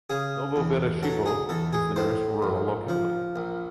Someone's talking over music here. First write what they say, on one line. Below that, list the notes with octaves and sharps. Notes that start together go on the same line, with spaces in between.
Novomereshchevo is the nearest rural locality.
C#3 G#4
E2
F#3 A4
G#4
E2 A4
G#4
A2 C5
A#1
F3
A#1